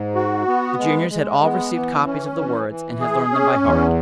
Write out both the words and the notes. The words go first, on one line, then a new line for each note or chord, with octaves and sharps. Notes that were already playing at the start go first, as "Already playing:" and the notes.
The juniors had all received copies of the words and had learned them by heart.
Already playing: G#2
F#4
B3
G#3
G#3
B3
E3
C#4
E3
E3
G#4
C#4
E2